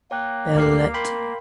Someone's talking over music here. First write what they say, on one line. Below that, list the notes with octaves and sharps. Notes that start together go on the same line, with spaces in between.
Bell et.
A#3 C#5 G5 F#6
D2 G4 A#4 D6 F6 C7
A#4 G5 B5 C6